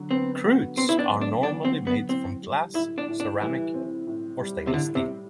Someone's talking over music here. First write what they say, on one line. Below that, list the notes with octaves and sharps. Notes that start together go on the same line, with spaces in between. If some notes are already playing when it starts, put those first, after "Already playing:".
Cruets are normally made from glass, ceramic, or stainless steel.
Already playing: D3 F#3
B3 C4
F#4
B3 C4
E4
D4
F#3
D4
D3 D4
C4
F#3
B3
A2 C4
G3
A2 E4
D4
A2
D4
E3 G3
C4
A2
G3
C3
A2 D3
C3
G3